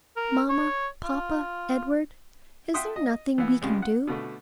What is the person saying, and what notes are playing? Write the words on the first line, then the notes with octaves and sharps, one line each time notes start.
"Mamma, papa, Edward, is there nothing we can do?"
A#4
C#5
F4
E5 F#5 G5 C6 D#6
D#5
E3 B3
C#2 C#3 G3 G#3
F#5
B2 D3 A3